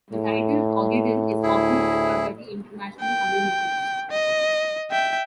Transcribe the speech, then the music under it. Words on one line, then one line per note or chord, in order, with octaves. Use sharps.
The title "Ogaden" is often preferred by the international communities.
A2
D2 E4 G#4
G5
D#5
E5 G5